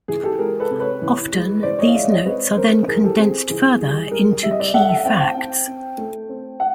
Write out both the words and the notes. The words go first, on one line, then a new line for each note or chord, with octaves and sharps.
Often, these notes are then condensed further into key facts.
E3 G#4
G4 A4
G#3 G#4 A#4
A4 B4
C3
B4 C#5
E3
G#3
E3 C5 D5
C#5 D#5
F5
G#3 D5 E5
C#5 D#5
C4 B4 C#5
C4 A#4 C5
E3 G#4 A#4
G4 A4
C4 G#4
E3 G#4
G3 G#4
G3 G#4 A#4
G3 E5
D#5
D5 E5
A3 E5 F#5
E5 F#5
C4 F5 G5
G5 A5
C4
C4
A3
C4
F#5